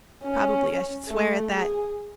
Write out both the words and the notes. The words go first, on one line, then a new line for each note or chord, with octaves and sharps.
Probably I should swear at that.
C#4
A3
G#4